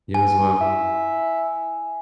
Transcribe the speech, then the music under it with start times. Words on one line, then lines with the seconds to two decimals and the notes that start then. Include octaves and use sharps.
You as well.
0.14 G#5
0.61 E4